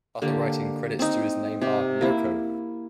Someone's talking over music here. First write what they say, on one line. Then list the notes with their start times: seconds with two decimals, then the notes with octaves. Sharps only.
Other writing credits to his name are: Yoko!
0.22 D3 A#3 G4
0.99 C4 D#4
1.61 C3 G4
2.01 A#3 E4